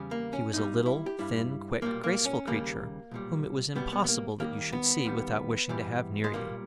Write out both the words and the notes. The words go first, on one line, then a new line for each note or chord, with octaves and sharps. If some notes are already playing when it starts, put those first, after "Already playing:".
She was a little, thin, quick, graceful creature, whom it was impossible that you should see without wishing to have near you.
Already playing: E2 C#3 G3
A#3
C#4
B1 B2 G3 D#4
E4
G4
G2 G3 E4
B1 A#2 G3 A#3
A#3
C#4
D#2 C#3 G3 A#3
B1 A#2 G3
B1 B2 G3 B3
B3
B3
A#3
D#2 D#3 G3 A#3
B3
D#2 D#3 G3
G#2 E3 G3
G#3
B1 A#2 G3 A#3